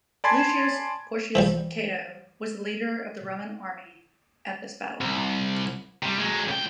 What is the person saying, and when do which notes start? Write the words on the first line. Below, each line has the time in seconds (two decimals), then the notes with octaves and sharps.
Lucius Porcius Cato was the leader of the Roman army at this battle.
0.24 D5 G#5 A5 B5 C6 G#6
1.35 E3 F3 G3
5.01 C2
6.03 C3 G3
6.19 F#3 G#3
6.48 C#2 G5